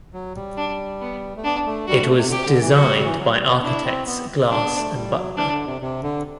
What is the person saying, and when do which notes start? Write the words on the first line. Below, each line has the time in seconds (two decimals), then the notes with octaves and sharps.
It was designed by architects Glass and Butner.
0.13 F#3
0.35 G3
0.57 D4
1.01 B3
1.37 A3
1.44 B3 D4
1.66 A3
1.87 G3 F#4
2.02 A3
2.17 C3
2.28 D3
2.31 C3 G4
2.46 D3
2.60 E3
2.75 F#3 F#4
2.84 A3
2.90 G3
3.05 E3
3.19 F#3
3.33 G3
3.49 B3
3.63 D4 E4
3.84 C4
4.06 B3
4.50 G3 D4
4.65 B3
4.79 A3
4.94 G3
5.09 E3
5.16 F#3
5.37 E3 D4
5.52 D3
5.66 C3
5.81 C3
6.03 D3